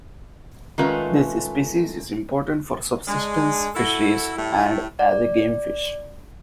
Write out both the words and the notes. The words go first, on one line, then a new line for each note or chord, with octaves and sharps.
This species is important for subsistence fisheries and as a gamefish.
D#3 G#3 A3 C#4 F4 B4
G#3 D4
E4 F#4 A4
A2 G3 A3 E4
D5